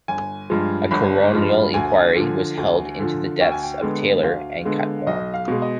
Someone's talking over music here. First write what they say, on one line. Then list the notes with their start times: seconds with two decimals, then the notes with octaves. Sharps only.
A coronial inquiry was held into the deaths of Taylor and Cutmore.
0.08 G1 G#5
0.50 G2 F3 G#3
0.91 G1 B5
1.33 G2 F3 G#3
1.74 D2 G#5
2.16 D3 F3
2.58 D2
2.99 D3 F3
3.41 D2 G5
3.52 G#5
3.62 G5
3.82 D3 G#3 B3
4.23 D2 F5
4.65 D3 G#3 B3
5.07 B1 D#5
5.34 F5
5.48 B2 G#3
5.62 D#5